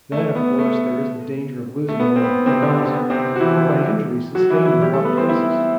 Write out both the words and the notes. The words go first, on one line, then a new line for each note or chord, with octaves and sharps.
Then, of course, there is the danger of losing them on thin ice or by injury sustained in rough places.
A3
B3
A3
A3
B3
C4
B3
C3 C4
D3 D4
B3
C3 C4
F#4
E3 E4
F#3 F#4
E3 E4
E3 E4
G3 G4
A3 A4
B3 B4
C4 C5
E4 E5